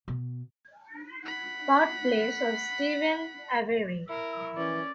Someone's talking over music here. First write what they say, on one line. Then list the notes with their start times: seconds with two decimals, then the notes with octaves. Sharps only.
Birthplace of Steven Avery.
0.08 B2
1.24 F#5 B5
4.10 E4 A#4
4.57 E3 C#4 D5